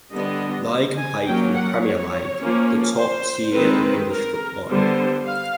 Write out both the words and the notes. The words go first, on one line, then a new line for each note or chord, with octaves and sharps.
They compete in the Premier League, the top tier of English football.
D3 G3 B3 D4 D#5
G#5
F#3 A#3 C#4 G5
F#5
C#5
F3 A#3 C#4
C5
D#3 G#3 C4 B4
A#4
D3 G3 B3 C5
F5